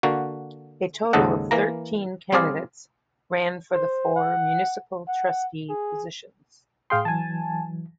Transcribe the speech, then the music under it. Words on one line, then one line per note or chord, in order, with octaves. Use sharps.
A total of thirteen candidates ran for the four municipal trustee positions.
D3 A#3 F#4
D#2 G#2 C#3 A4 D#5 F#5
E3 A#3 A#5
G3 C4 G#4 D5 F5
C5
F#5
F#5
G#4
A2 G#4 F5 G5 C6 D#6
E3 F#3 G#5 A5